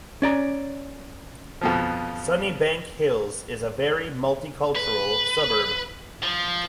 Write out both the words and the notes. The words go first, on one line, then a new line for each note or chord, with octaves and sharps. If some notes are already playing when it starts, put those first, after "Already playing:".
Sunnybank Hills is a very multicultural suburb.
C#4 D5 A#5
F2 B2 F3
B4
F3